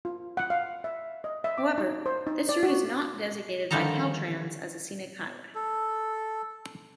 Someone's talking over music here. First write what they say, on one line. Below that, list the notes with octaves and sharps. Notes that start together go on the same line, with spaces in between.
However, this route is not designated by Caltrans as a scenic highway.
F4
F#5
F5
E5
D#5
E5
D6
D#4
C5
D#4
D5
F#4
D3 D#3 F3 G3 A4 A#5
A4